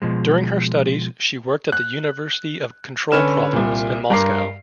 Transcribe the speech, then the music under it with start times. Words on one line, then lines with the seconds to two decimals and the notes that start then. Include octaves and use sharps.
During her studies she worked at the Institute of Control Problems in Moscow.
0.02 B2 F3 G#3
1.72 F#6
3.12 D3 C#4 B4 F6 E7
3.53 C2 A#2
4.10 G2 A#4 A#5 D6 C7